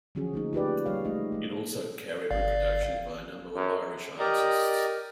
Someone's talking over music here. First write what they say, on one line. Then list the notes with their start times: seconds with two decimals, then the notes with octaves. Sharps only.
It also carried reproductions by a number of Irish artists.
0.15 D3 F3 F#3 C#4 F#4 G#4
0.34 A3 A#3 D#4
0.53 F4 G4 B4 D5
0.86 G3 C#5 F5
1.05 G#3 A3 D#4 D#5
1.32 G#3 A#3
2.31 G1 D5 F5
3.55 F#2
4.19 G4 A#4 D5 D#5 A#5